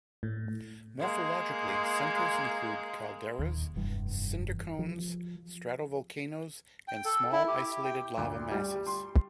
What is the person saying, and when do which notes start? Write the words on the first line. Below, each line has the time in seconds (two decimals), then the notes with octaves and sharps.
Morphologically, centers include calderas, cinder cones, stratovolcanoes and small isolated lava masses.
0.23 A2
1.00 G#3 A#3
3.39 D#1 D#2
3.76 F1 G2 E3
4.79 F3
6.88 G5
7.05 A4
7.32 E4
7.48 G4
7.85 G5
8.17 D2
8.52 G3
8.87 C6